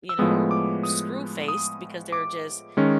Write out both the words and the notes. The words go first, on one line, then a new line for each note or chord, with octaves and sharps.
you know, screw-faced because they're just
E6
A2 F3 G#3 B3 D#6
D6
D#6
D#6
D6
D#3 G#3 C#4